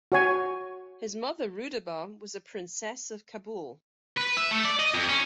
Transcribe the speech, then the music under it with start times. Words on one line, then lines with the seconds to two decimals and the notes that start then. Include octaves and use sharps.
His mother Rudaba was a princess of Kabul.
0.12 F#4 C#5 G#5
4.18 B4
4.37 E5
4.51 A3
4.65 D5
4.79 D#5
4.94 F2
5.09 C#4